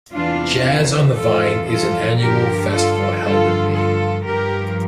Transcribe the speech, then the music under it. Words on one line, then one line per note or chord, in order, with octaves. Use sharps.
Jazz on the Vine is an annual festival held in May.
E2 C3 E3 D4 F4
F2 E3 F4 A4
F4 A4
G2 D3 F3 G4 A#4
F4 A4
G2 D3 F3 F4 A4
F4 A4
G2 F3 G4 A#4